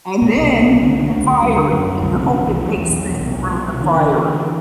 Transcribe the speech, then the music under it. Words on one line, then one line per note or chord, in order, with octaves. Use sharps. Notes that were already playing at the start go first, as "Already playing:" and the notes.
And then, you fire it and you hope it makes it through the firing.
B2 A3
C2
C2
C2
D3
D3
D2
D2
D3 G3
D3
F#2 F#3
F#2
C2 D3
C3
D3
C2
C2 E3
E2 F#3
E2
B2
E2
C2
C2
B2
C2
D3 E3
D3
D3
D3